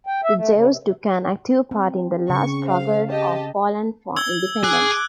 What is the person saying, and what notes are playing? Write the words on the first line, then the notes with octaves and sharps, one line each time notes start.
The Jews took an active part in this last struggle of Poland for independence.
G5
E5
A3
C#3
C3
C3
C4
C#3 C#6
C5 F5
G4 D#5 A5
E6 G#6 G7
G#4 D6 F#6